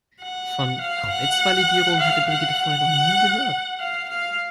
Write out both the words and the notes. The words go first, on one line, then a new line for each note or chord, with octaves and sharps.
Von Kreuzvalidierung hatte Brigitte vorher noch nie gehört.
F#5
F5
F#5
F5
F#5
F5
F5